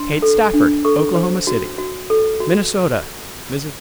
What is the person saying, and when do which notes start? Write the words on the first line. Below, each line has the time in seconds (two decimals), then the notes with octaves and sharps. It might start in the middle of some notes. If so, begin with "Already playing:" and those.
Kate Stafford, Oklahoma City. Minnesota-Mrs.
Already playing: D4 C6
0.22 A4
0.53 D4
0.85 A4 C#6
1.16 C5
1.47 F#4
1.78 F#4
2.10 A4
2.40 F#4